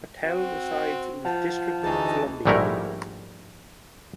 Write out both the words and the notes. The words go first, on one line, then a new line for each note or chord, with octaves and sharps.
Patel resides in the District of Columbia.
C4 F#4
F3 F#5 A5
D2 E3 D#4 G#4 A5
A#1 G#2 G3 A3 E4 A#4